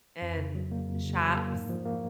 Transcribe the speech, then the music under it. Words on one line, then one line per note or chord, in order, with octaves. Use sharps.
And shops
F2
C#3
F#3
A#3
F2
C#3
F#3
A#3
G#2
F3
A#3